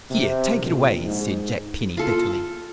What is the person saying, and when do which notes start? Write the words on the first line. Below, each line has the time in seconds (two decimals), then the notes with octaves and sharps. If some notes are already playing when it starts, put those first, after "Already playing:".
"Here, take it away!" said Jack Penny bitterly.
0.10 C3
0.57 A#1
1.05 G#2
1.97 F4 A4